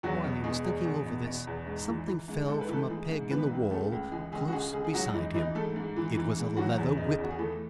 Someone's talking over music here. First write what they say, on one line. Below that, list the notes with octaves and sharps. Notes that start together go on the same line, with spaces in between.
While he was thinking over this, something fell from a peg in the wall, close beside him; it was a leather whip.
E2 F#3 F#4
B2
B2 G#3 G#4
E2
E2
B2
B2
E2
G#2
E3
E3
G#2
G#2 A4
B4
E3 A3 A4
E3 G#3 G#4
G#2
E3 B3 B4
C#2
C#3 A3 A4
C#2
E3 G#3 G#4
C#2 G#3 G#4
F#4
C#3 G#3 G#4
C#2 G#3 G#4
G#4
G#2 F#3 F#4
E3 D#4
E3 D#4
G#2 A3 A4
G#2
E3
E3
G#2
E3 F#3 F#4
E2
C#3 D#4
E2
F#4
G#4
E3 A3 A4